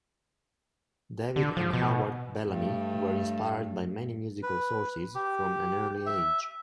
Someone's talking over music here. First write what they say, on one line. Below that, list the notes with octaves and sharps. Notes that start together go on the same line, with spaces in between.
David and Howard Bellamy were inspired by many musical sources from an early age.
D3
F3
B2
G2 A3
B4
G4
E5